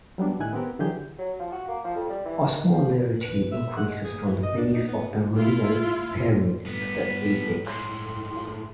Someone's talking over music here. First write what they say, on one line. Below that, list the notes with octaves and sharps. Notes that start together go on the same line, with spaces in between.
Osmolarity increases from the base of the renal pyramid to the apex.
F#3 G3 B3 D4
A2 D#3 E4 G#5 F#6
B3 C4 G4 A#4
D3 E3 F#3 G4 G#4 G6
F#3
F3
F#4
A#3
F3
F2
G3
E3
D#3
F3
B4
E5
F#5
G#3
G#4
E3
D#5
D4
D#4
B3
E4 F4
G2 B3 B6
A2 G#3 C6